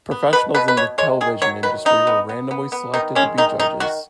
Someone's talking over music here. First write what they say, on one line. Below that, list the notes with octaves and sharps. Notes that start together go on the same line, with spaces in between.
Professionals in the television industry were randomly selected to be judges.
B3
B2 B4
B2 B4
B4
B2 C#5
G#3 C#5
D#3 G#4
F#3 C#5
D#3 B4
B3 D#4
B3
B3
B3
B3
D#3 D#4
G#3 C#4
D#3 D#4
D#3 D#4
D#3 F#4